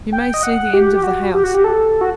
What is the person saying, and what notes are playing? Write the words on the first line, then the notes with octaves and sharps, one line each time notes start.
You may see the end of the house.
G5
D#5
F#5
G4
G4
F#4
G4
F#4
G4
A4
F#4